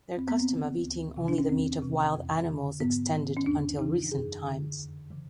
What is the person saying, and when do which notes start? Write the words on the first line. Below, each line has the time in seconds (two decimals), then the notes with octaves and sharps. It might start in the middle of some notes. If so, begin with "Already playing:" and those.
Their custom of eating only the meat of wild animals extended until recent times.
0.17 F2 C4
0.28 B3
0.40 C4
0.50 C#3 E3
0.83 D2
1.16 C3 D#3
1.28 D4
1.38 C#4
1.49 E2 C4
1.82 C3 E3
2.15 F2
2.47 D3
2.80 G#2 B3
3.14 D#3
3.37 C#4
3.46 E2 D4
3.79 C#3 E3 D#4
4.12 F#2 G#4
4.45 D3
4.78 F2
5.11 C#3 E3